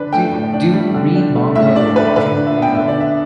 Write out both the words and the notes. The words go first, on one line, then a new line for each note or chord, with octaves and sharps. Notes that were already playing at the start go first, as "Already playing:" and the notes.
do do you read manga or watch anime at all?
Already playing: D3 D4 B4
A3 G5
A2
D4
G3
D3
D4
A3
A2 E5
D4 D5
A3 B4
D3 B4
D4
E5
B3
G5
D3 E5
D5
D4 E5